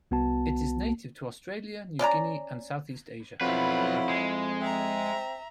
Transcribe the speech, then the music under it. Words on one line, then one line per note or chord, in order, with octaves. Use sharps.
It is native to Australia, New Guinea and Southeast Asia.
C2 B3 F#4 A5
C#4 D5 F5 A#5
B1 F2 F#3 E4 F4 B4
G#3
C4 E5 A#5